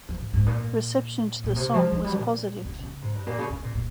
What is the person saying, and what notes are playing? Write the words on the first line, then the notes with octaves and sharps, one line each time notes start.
Reception to the song was positive.
F3
G#2
G#2
A#2
A#2
C3
F3
F3
G3
A#2
C#3
C#3
G#2
G2
A#2
C#3
C#3
A#2
A#2